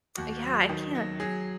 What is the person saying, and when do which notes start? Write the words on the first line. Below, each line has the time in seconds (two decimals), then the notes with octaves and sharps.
yeah, I can't
0.17 D#2 F#4
0.43 F#3
0.69 D#3
0.95 F#3
1.20 F#3 G#4